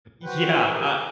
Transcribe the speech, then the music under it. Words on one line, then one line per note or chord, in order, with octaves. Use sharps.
Yeah, I
F#4 B4 C5 F#5 G5
G4 G#4 A#4